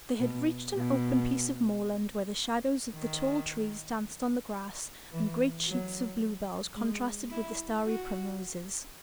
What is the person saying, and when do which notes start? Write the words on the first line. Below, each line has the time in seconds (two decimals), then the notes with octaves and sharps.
They had reached an open piece of moorland, where the shadows of the tall trees danced on the grass, and great sheets of bluebells contrasted with starry primroses.
0.19 B2
0.74 B2
2.94 D#3
5.12 E3
5.67 F#3
6.76 G#3
7.30 E4
7.86 F#4